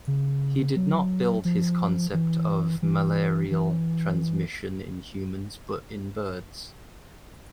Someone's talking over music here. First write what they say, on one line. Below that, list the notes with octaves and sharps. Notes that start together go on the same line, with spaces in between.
He did not build his concept of malarial transmission in humans, but in birds.
C#3
F#3
F3
E3
E3
E3